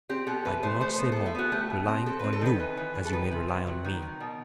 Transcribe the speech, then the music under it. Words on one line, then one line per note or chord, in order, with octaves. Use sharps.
I do not say more, relying on you as you may rely on me.
C4 G4
B2 A4
E3 B4
A3 C5
A3 C5
B3
E3 A4
E4
B3 F#4
A3 G4
B2
C4
C4 A4
C4 B4
A4
D#3 B4
E3
E3
E3
A4
D#3 B4
C3
C3
F#3
D#3
D#3
B2